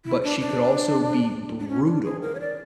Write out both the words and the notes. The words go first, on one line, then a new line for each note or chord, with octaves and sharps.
but she could also be brutal,
E4
D4
D4
D4
C#4
D4
G#4
A#4
C#5
D5